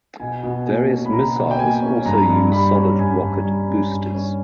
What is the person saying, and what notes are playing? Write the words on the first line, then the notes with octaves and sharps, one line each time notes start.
Various missiles also use solid rocket boosters.
B2 G#5
B2
A#3 G#5
C#4
B5
B2 A#5
B2
G5
A#3 G#5
C#4
G2 A#5
G2
G3 B5
C#4
G2 G#5
G2
G3
C#4
G2
C#4